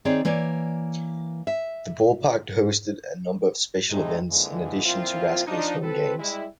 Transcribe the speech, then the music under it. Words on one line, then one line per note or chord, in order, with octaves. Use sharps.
The ballpark hosted a number of special events in addition to Rascals home games.
D#3 C4 G#4 C#5 D5
E3 A#3 C#5 D5
E5
E2 B2 G#3 A3 C4 D#4
F2 A#2 D3 E3 G#3
A#2 F3 C4 E4 F4
F3 D4 D#4
C4 A4 B4
G3 G#3 E4